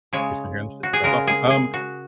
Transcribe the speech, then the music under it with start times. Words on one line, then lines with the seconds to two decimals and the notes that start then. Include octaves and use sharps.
He's from here in the states. That's awesome. Um,
0.13 C#3 G#3 C#5
0.83 F#4
0.93 G#4
1.04 C#3 G#3 A#4
1.27 G#4
1.50 G#4
1.74 F#4